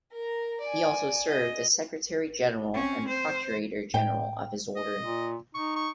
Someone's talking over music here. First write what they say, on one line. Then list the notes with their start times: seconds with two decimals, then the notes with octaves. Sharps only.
He also served as secretary general and procurator general of his order.
0.12 A#4 A#5
0.60 D5 G#5
1.28 D#5
2.74 C4 C#4
3.08 C5
3.94 A2 G5
4.76 D#5
5.01 A#2
5.55 D#4 C#6
5.76 C#6